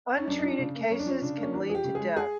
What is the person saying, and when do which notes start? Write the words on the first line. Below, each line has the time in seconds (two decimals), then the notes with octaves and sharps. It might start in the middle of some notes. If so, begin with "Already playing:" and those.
Untreated cases can lead to death.
0.17 C#4
0.27 F#2 D4
0.38 D#4
0.44 F3 D4
0.59 C#3
0.75 A#3
0.91 F#2 C#4
0.99 D4
1.06 F3 C#4
1.22 C#3 D4
1.37 A#3 C#4
1.53 E2 D4
1.69 F3 G#4
1.75 G4
1.84 C#3
1.95 G#3 G#4
2.16 G#4